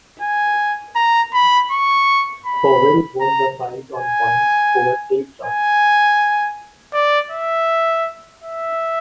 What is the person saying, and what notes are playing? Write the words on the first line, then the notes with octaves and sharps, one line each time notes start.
Powell won the fight on points, over eight rounds.
G#5
A#5
B5
C#6
B5
A#5
G#5
G#5
D5
E5
E5